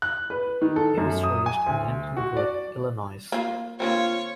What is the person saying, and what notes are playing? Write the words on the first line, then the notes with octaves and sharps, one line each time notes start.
He was raised in Lincolnwood Illinois.
F#6
B4
D#3
A4
F#2
D#6
G#5
D2
F#4
D5
A#3 F4
D3 A#3 C4 F4 C#5